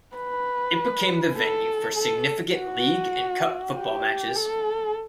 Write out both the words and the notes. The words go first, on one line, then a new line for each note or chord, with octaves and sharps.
It became the venue for significant league and cup football matches.
B4
A4
A4
F#4
G4
A4